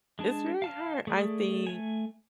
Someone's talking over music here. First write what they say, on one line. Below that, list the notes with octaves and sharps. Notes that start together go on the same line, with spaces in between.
It's very hard. I think
G#3 D4 A5
F5 A5 F6
A3 G#4 D5
A3 G#5